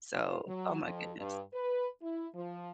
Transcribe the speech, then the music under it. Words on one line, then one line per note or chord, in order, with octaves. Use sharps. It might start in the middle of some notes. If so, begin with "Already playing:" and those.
So Oh my goodness.
F4
F#3
F2
G2
B4
E4
F3